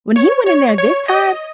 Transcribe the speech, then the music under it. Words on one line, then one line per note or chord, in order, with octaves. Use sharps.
When he went in there this time,
C#5
C#5
C#5
D#5